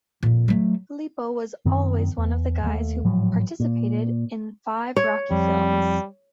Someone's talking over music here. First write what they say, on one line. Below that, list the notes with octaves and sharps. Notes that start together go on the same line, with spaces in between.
Filippo was also one of the guys who participated in five Rocky films.
F2 A#2
F#3 A3
F#2 D#3 C4
E2
D#2 A3
G#1 A2 F3 F#3
A#2
C#5
F2 G3